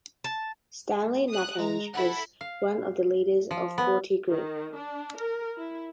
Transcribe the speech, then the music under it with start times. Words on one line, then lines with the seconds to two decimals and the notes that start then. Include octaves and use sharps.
Stanley Mathenge was one of the leaders of Forty Group.
0.24 A5
1.29 D#6 F#6
1.59 G#3 A#5
1.94 E4 A4 F#5 B5
2.41 F5
3.51 F3
3.78 B3
4.30 D#3
4.74 D4
5.17 A#4
5.56 E4